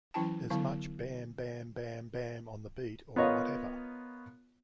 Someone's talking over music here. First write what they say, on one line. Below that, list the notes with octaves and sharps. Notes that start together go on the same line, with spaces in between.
As much 'bam-bam-bam-bam' on the beat or whatever.
E3 F#3 C#4 E4 G5 A5
D3 F#3 B3 E4 F5
B3 F4 A#4 C#5 D#5 F5